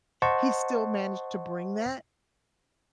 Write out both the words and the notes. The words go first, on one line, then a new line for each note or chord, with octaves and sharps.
he still managed to bring that,
C5 D#5 F#5 A5 C6 C#6